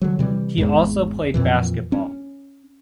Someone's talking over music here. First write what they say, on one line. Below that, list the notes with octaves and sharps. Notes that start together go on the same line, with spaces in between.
He also played basketball.
D3 F#3
C3 E3 G3
G#1 E2 G#2
F2 A#2 E3
C#4